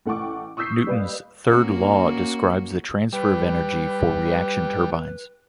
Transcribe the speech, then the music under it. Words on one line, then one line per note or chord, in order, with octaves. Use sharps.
Newton's third law describes the transfer of energy for reaction turbines.
A1 A3 F#5 G5 C#6 D6
C#6 D#6 E6 G6 B6 C7
G3 A#3 B4 D#5 F5
A#3 C#4 F#4
G3 B4